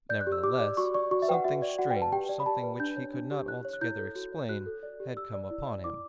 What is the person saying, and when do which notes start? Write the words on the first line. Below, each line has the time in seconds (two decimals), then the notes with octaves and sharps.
Nevertheless, something strange, something which he could not altogether explain, had come upon him.
0.09 D5 G6
0.21 F#6
0.27 G4
0.32 E6
0.44 G4 D6
0.61 D5
0.77 F#4 C#6
0.94 D5 C#6
1.11 F#4 C#6
1.22 E5
1.28 B4 G5
1.34 F#5
1.44 F#4 E5
1.62 D5
1.78 F#4 F#5
1.91 G5
1.96 B4
2.02 A5
2.12 G4 G5
2.29 D5
2.40 B5
2.46 G4 A5
2.63 B4
2.80 D4 G6
2.97 C#5
3.14 D4
3.31 G4
3.48 E4 F#6
3.65 C#5
3.73 F#6
3.81 E4 G6
3.98 A4
4.15 F#4
4.32 C#5
4.49 F#4 F#6
4.66 A4
4.83 D5
5.00 G4
5.17 G4 E6
5.34 D5
5.51 E4
5.67 D5
5.84 E4 D6